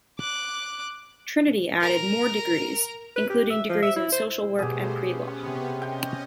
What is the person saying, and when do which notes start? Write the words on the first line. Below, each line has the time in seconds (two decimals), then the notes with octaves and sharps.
Trinity added more degrees, including degrees in Social Work and Pre-law.
0.19 D6 F#6
1.80 A#4 A#5
3.16 B4
3.30 G4
3.50 E5
3.69 F3
3.82 E5
3.96 E4
4.12 C5
4.59 B2 G3 A3 G4 G#4 C5
4.95 B3 C#4
5.42 C3
5.82 C#4 D#5 G5